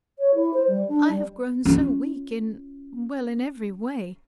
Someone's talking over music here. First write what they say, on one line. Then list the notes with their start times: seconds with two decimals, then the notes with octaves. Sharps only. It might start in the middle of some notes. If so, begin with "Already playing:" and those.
I have grown so weak in--well, in every way.
0.19 C#5
0.34 E4
0.53 C5
0.68 G3
0.88 D4
1.09 G3
1.65 C#4 F4